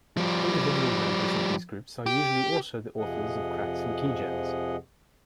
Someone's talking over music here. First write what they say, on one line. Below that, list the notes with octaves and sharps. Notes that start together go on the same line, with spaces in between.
Individual members of these groups are usually also the authors of cracks and keygens.
F3 G3
G4
F2 C3 F3 G#4 D#5 F#5